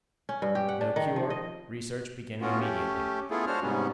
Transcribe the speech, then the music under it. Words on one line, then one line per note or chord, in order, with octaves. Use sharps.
No cure, research beginning immediately.
C#4
G2
G4
F#5
D4
D#3
F3
D#5
A2 B3 C#4 F4 F#4
A3 C#4 G4
A3 B3 E4 F4 G#4 A4
G#3 D4 F#4 C5 C#5 F6
G#2 C3 G3 G#3 B3 C#4